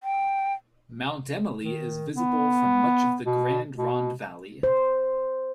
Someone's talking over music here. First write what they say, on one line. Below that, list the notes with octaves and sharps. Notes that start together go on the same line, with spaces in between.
Mount Emily is visible from much of the Grande Ronde Valley.
G5
D#3
B3
B2
B2
C5